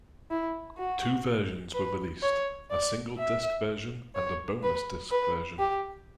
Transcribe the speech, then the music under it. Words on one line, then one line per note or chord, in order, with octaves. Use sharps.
Two versions were released; a single disc version and a bonus disc version.
E4
F#4
B4
C#5
D5
E5
C#5
B4
B4
G4